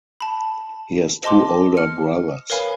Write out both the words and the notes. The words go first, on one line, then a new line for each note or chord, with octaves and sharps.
He has two older brothers.
A5 B5
C5 D#5 A5 C6 D6
F6 C#7
A#4 B4 C#5 F5 G#5 B5